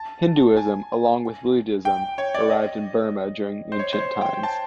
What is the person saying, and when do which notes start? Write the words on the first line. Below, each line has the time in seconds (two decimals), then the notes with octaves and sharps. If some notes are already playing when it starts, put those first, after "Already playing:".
Hinduism, along with Buddhism, arrived in Burma during ancient times.
Already playing: A5
0.57 G#5
1.85 G5
2.18 C#5
2.34 D5
2.50 D#5
3.72 C5
3.79 C#5
3.93 C5
4.00 C#5
4.21 G5
4.43 A5